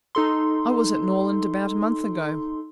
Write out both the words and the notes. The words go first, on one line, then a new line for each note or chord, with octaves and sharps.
"I was at Norland about a month ago."
D#4 A4 C6